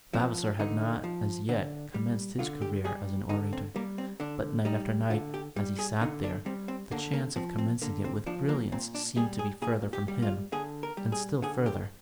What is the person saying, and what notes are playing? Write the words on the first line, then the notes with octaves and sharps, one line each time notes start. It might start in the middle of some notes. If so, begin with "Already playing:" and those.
Vavasor had not as yet commenced his career as an orator; but night after night, as he sat there, the chance of commencing it with brilliance seemed to be further from him, and still further.
F3 C4
D3 D#4
F3
D3
G3
D3 F4
G4
G3 G#4
D3 D#4
C4
G3 A#3
C4
D3 D4
G3 D#4
D3 F4
G4
G3
G#4
D3 D#4
D4
G3 C4
C4
D3 A#3
A#3
F3 C4
C4
D3 A#3
C4
F3 D4
A#3
A#2 C4
D4
G3 G#4
G#4
A#2 G#4
G4
G3
F4
D3 G#4
A#4
G3
G#4
D3 G#4
G4